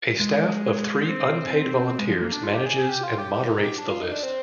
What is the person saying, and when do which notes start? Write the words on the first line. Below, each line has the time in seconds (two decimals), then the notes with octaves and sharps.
A staff of three unpaid volunteers manages and moderates the list.
0.19 G#3
1.09 C4
1.99 G#3
2.10 F3
2.22 A#3
2.32 D4
2.43 F4
2.55 G4
2.66 G#4
2.78 G#4
2.89 G4
3.03 F4
3.18 G4
3.34 G4
3.49 D#4
3.63 G4
3.78 D4
3.89 F4
4.01 D#4
4.11 D4
4.23 C4